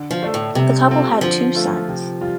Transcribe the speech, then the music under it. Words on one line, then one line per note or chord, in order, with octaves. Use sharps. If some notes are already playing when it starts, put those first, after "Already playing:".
The couple had two sons.
Already playing: D3
F3
A3 D4 A4
A2
C3 G3
C4 F4 A4
D3 F3
A3 F4 A4
C3
G3 F4